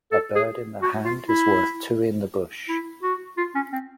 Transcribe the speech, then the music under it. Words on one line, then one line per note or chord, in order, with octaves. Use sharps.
A bird in the hand is worth two in the bush.
A4
G#4
F#4
F4
E4
E4
F#4
F4
C#4
C4